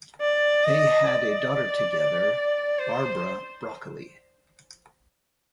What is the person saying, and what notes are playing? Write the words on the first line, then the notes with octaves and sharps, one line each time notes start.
They had a daughter together, Barbara Broccoli.
D5
D#5
D5
C5